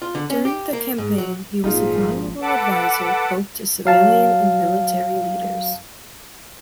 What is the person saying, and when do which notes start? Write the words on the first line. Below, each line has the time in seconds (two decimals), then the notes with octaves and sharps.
During the campaign he was a valuable advisor both to civilian and military leaders.
0.02 F4
0.15 D3
0.30 C#4
0.45 G4
0.73 A#3
0.98 G#2
1.18 F#3
1.64 G#1 A#2 F3 D#4 F4 G#4
2.42 A4 B4 F#5 A5 D6
3.85 F#3 F5 A5